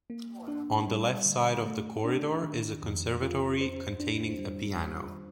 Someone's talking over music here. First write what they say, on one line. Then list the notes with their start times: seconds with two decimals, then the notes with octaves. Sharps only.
On the left side of the Corridor is a Conservatory containing a piano.
0.10 A#3
0.48 D4
0.88 G3
1.26 D3
1.66 A3
2.05 D4
2.44 D#3
2.83 F2
3.22 F4
3.61 C5
4.00 D4
4.39 G3